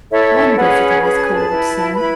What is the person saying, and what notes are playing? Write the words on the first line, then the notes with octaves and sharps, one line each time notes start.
"One visitor has called, sir."
E4 A4 C#5 E5
C#4 G#4 B4 F#5
C#4 G#4 B4 B5
A5
G#5
A5
E4 B4
E4 B4 B5